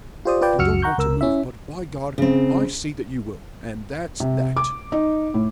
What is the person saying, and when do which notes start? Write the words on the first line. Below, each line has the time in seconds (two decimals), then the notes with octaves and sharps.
You don't want to move, but, by God, I say that you will and that's that!
0.25 F4 G4 C5 D5 D#6
0.41 F4 B4 D5 G5
0.58 C#2 F#2 F#4 E6 F6 C#7
0.82 F#5 A#5 C#6 G6
0.98 C#2 A#4 E6
1.21 C#4 E4 E5
2.18 C#3 C4
4.20 C3
4.57 D6
4.92 D#4
5.34 A2